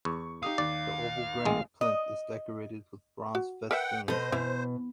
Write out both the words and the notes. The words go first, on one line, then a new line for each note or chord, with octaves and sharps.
The oval granite plinth is decorated with bronze festoons.
E2 C#6
D#4 G4 F5 D#6
D#2 D5
A1 G#3
D#5
F#4
A#4 B4 E5 F#5 G5
B2 A4 C5 D#5
B2 E3